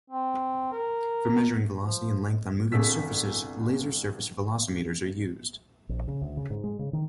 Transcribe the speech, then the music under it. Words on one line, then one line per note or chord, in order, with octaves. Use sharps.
For measuring velocity and length on moving surfaces, laser surface velocimeters are used.
C4
A#4
F3
G1 C2 G#4 E6 B6
A#1
C#3
D2
C#3
G#2
G#3
C#3
D#3